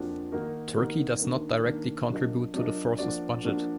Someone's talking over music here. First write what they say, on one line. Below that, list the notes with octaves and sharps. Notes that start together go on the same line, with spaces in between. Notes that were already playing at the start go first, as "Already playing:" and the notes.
Turkey does not directly contribute to the force's budget.
Already playing: F2 F3 A#3 D4 F#4
D#3 A#3 D#4 F#4 A#4
D#3 A#3 D#4 F#4 A#4
D#3 A#3 D4
D#3 A#3 D4
F#3 D4 F4 A#4 D#5
F#3 D4 F4 A#4 D#5
F3 A#3 D4 F#4 D5
F3 A#3 D4 F#4 D5